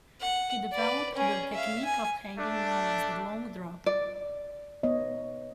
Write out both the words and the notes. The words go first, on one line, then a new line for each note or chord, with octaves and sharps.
He developed the technique of hanging known as the "long drop".
F#5
B4 D5
C#4 G#4
E5 F5
G#5
A3 D4
D5
B3 C#5 D#5